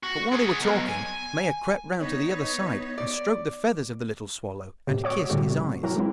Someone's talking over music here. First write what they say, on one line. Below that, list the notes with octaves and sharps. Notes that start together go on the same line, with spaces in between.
But while they were talking, Maia crept round to the other side and stroked the feathers of the little swallow, and kissed his eyes.
F#4
G#4 F#5
B1
G#5
B3 D#4 C#5
D5
A2 C3
F#4 C#5 D6
A2 D3 G3 F#4
C3
E3 F#3 F#4 A#4
G#3 C4 E4